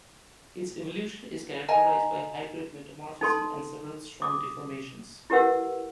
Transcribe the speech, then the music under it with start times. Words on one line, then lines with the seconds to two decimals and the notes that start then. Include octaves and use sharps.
Its evolution is characterized by high-grade metamorphism and several strong deformations.
1.68 D#5 G#5 A#5
3.21 D#4 A4 C6
4.22 D6 D#6
5.30 E4 G4 A#4 B4 F#5 E6